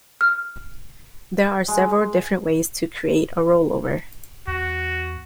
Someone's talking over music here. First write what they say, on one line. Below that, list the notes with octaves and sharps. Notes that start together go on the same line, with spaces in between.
There are several different ways to create a rollover.
F6
G#3
E2 F#4